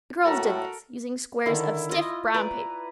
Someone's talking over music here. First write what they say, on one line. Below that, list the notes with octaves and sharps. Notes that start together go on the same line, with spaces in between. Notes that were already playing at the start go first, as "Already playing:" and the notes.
The girls did this, using squares of stiff brown paper.
A2 F#4 A4 A#4
D3 D#3 E4
F4 D#5
B4 D5 A#5